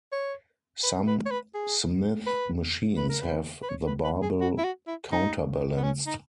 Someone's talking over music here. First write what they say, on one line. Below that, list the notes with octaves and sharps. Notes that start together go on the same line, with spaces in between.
Some Smith machines have the barbell counterbalanced.
C#5
B4
B4
C#5
B4
G#4
B4
B4
A#4
B4
B4
C#5
B4
B4
G#4
F#4
E4
F#4
E4
D#4
B3
C#4
D#4